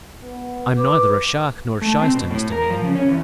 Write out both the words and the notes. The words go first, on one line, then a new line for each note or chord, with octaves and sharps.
I'm neither a shark nor a shyster, Mr. Man.
B3
B4 D6
A3
C4
B2
A2
A#4
F3
C#3
C#4
E2